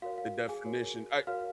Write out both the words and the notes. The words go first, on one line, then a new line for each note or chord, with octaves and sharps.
the definition I
F#4 A#4 C#5 F5
F5
G#4 G#5
F#4 A#4 C#5
F#4 A#4 C#5 F5 F6